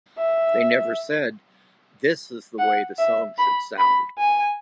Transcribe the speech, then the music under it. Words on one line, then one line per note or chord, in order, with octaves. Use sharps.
They never said: 'This is the way the song should sound.
E5
F#5
E5
B5
B5
G#5